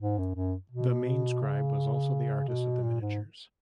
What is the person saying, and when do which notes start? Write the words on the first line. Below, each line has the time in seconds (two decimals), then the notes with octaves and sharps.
The main scribe was also the artist of the miniatures.
0.01 G#2
0.18 F#2
0.36 F#2
0.71 B2
1.42 C#3
2.48 B2
2.83 A#2
3.01 G#2